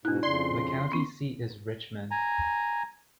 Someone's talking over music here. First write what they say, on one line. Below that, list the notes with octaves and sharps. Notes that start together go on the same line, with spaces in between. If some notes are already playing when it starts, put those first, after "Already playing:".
The county seat is Richmond.
G#2 B2 D4 E4 F#6
F2 C#3 D5 C6
B3 C#4
G#5 A#5